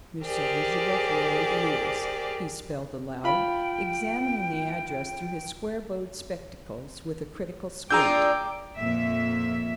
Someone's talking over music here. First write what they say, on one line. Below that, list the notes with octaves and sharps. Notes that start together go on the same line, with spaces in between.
"Miss Elizabeth Lloyd Lewis," he spelled aloud, examining the address through his square-bowed spectacles with a critical squint.
G4 G#4 A#4 C5 D5
F4 G5 B5
D4 F4 G#4 G5 A#5 D6 E6 G6
F2 A#2 E5